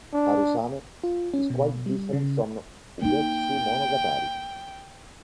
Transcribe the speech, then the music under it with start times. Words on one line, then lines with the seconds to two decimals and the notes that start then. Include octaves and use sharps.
"Harusame" is quite different from "Ugetsu Monogatari".
0.13 D4
1.04 F4
1.34 C#4
1.50 B2
1.86 G3
2.13 C#3
3.01 A#3 D#4 G5